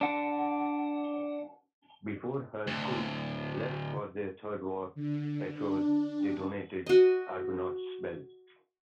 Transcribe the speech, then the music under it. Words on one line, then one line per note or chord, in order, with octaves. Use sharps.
Before her crew left for their third war patrol, they donated Argonaut's bell.
D4 F#5
D2 A2
D3
D4
F#4 D#5